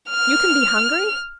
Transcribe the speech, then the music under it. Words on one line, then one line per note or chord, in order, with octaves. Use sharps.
"You can be hungry?"
F6